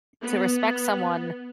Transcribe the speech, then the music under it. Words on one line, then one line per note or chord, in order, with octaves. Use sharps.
to respect someone
B3